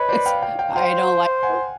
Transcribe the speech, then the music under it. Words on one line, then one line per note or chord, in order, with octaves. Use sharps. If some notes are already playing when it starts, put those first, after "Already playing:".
It's I don't like those
Already playing: B4 C#5 D#5
C5 D5
F5 G5
F5 G5
F5 G5
C5 F5 G5
F#5 G#5